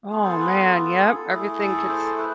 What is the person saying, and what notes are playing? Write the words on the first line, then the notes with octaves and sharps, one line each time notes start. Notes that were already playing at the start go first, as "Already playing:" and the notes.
Oh man, yep, everything gets
B3 F4 G#4
A4 C5
G#4 B4
A4
A4
G#4
A4
A3 E4 G#4
A4
A4 C5
B4